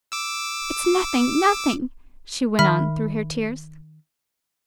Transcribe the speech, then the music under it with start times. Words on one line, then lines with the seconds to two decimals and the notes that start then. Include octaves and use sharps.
"It's nothing, nothing!" she went on through her tears.
0.12 D6 E6
2.59 D#3 E5 B5 F6